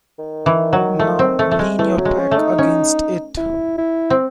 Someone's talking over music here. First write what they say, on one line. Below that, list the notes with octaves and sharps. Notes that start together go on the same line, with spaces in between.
Now lean your back against it.
D#3
E3
F#3
A3
C4
A3
A3
G#3
E3 A3
F#3
G#3
C#4
A3
D#4
C#4
E4
E4
C4